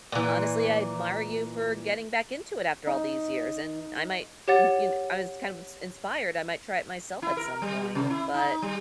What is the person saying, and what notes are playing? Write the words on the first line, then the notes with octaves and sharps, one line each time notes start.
honestly, I admire you for getting back into it after all these years, and I might, y you know, I was kind of ins inspired, I might try it myself at some point, but
A#2 E3
D#4
G4 C#5 F#5 A6
E4
A#4
G3
C3
E4
D#4
G3